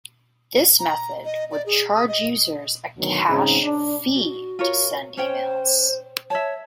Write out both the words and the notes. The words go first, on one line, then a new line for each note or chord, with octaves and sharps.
This method would charge users a cash fee to send emails.
A#5
D#5
D5
G#4
D#6
D#5
D2 B2 D#3 F#3
G#2 C#3 C4 D#4
D4
F#4
F4 A#4 C#5
C#4 C5 C#5 G5
C#5 E5 A5